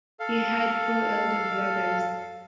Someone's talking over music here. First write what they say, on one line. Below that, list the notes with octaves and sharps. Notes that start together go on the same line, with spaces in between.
He had four elder brothers.
A4 F5